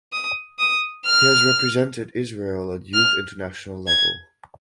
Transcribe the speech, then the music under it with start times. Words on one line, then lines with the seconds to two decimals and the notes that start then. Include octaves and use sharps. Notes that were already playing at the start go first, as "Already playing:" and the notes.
He has represented Israel at youth international level.
0.13 D#6
0.59 D#6
1.06 F6
2.94 F6
3.87 G#6